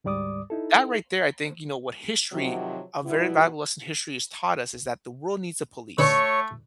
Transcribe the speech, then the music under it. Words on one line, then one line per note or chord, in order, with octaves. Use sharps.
that, right there, I think, you know, what history a very valuable lesson history has taught us is that the world needs a police.
D2 G#2 G3 D5 D6 D#6
D#4 E4 A4
C3 D#3 F3 F#3
B2 G3 B3 E4
A3 C#4 D4 B4 C#5